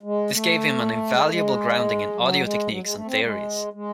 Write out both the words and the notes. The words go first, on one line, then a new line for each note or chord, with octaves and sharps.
This gave him an invaluable grounding in audio techniques and theories.
G#3
A3
G#3
A3
G#3
F#3
G#3
F#3
G#3
A3
C4
G#3
G#3